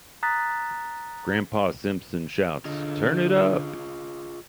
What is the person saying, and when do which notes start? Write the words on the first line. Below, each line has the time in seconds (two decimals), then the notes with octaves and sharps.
Grampa Simpson shouts, Turn it up!
0.23 A#5 D#6 F#6 A6 B6
2.65 D3 F4 G#4 D#5